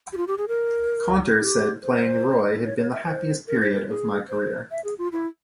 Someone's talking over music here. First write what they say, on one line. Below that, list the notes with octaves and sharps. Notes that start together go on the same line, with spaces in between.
Caunter said playing Roy had been the happiest period of my career.
G4
F4
G4
G#4
A#4
G4
C5
C#5
C#5
E5
C5
A#4
C5
A#4
G#4
C5
E5
G#4
F4
E4